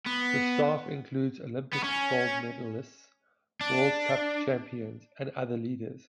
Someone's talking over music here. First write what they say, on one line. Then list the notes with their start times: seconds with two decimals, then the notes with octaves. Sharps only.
The staff includes Olympic gold medalists, World Cup champions and other leaders.
0.06 B3
1.73 B3
1.84 C#4
3.61 D4